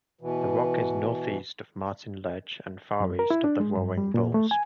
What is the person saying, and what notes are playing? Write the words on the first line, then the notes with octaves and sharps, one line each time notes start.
The rock is northeast of Martin Ledge and far east of the Roaring Bulls.
B2 E3
F#2
A#4
E4
D4
G#3
G2
G3
A#2
A3
G#5